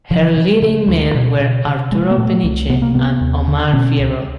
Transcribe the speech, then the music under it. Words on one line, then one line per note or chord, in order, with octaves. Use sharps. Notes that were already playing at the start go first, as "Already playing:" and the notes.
Her leading men were Arturo Peniche and Omar Fierro.
C#3 F3
C#3
C#3
D2
B2
B2
C3
C3 G#3
A#3
A#2 A3
C2
C3 B3
A#3
C3 B3
D#2
D3
B2 C#4
C#2